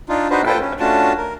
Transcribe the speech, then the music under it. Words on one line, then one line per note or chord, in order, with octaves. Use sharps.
I imagine,
D4 D#4 F4
D4 D#4 F#4 B4 C5
F4 A4 B4 C5 G5
C#4
A3 C#4 D4 F4 F#4 A5
A#4